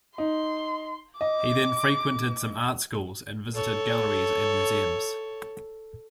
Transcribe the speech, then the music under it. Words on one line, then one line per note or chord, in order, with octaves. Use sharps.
He then frequented some art schools, and visited galleries and museums.
D#4 C6
D#5 D6
A4 C#5